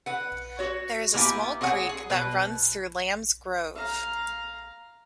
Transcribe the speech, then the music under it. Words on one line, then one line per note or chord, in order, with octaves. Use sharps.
There is a small creek that runs though Lambs Grove.
B4 F#5
F#4 C#5
D3 A#3 B3 E4 G4 G#5
C4 G#4 C#5 F#5 G#5
G#4
B2 B4
F5 A#5